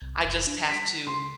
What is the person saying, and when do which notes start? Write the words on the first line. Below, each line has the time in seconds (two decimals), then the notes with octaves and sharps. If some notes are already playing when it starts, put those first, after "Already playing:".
I just have to
0.02 C2
0.24 F#1
0.47 D4
0.69 G3 B6 D7
1.07 C#2 C6